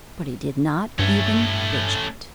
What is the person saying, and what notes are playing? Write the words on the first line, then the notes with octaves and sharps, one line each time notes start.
But he did not even fidget.
G2 A3 C#4